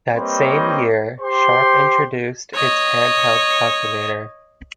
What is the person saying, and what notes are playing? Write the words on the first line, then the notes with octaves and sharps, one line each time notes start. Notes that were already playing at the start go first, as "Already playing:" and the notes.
That same year, Sharp introduced its hand-held calculator.
G3 A#3 C4 B4 C#5 D#5
G4 C5 C6
C#5 D#5